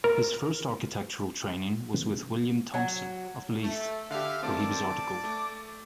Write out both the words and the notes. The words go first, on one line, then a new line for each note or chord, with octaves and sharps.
His first architectural training was with William Thomson of Leith, where he was articled.
A#4 A#5
F#3
A3
D3 G4 E5 F5
D#3 A3 C4 D5 A5 D6
A3